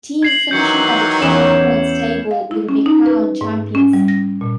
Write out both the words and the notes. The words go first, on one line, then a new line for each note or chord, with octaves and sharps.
Team finishing at the top of points table will be crowned champions.
G#6 C7 F#7
D#3 E3 F#3 G6 C7 C#7
E2 C#4 E4 E7
F5
E4
C#4
D#4
B4
G#2
C#4
G3
A#6
A#2